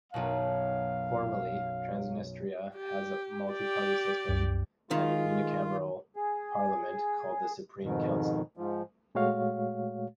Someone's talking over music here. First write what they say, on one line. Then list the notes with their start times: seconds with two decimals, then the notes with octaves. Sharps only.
Formally, Transnistria has a multi-party system and a unicameral parliament, called the Supreme Council.
0.14 B1 F#2 B2 F5
2.77 G4
3.52 G4 D5
4.29 C2 F#2
4.91 D#3 G#3 F4
6.16 G#4
7.83 F2 G#2 B2 D#3
8.57 G#2 F3
9.15 A#2 G#3 A3 F#4 C#5 F5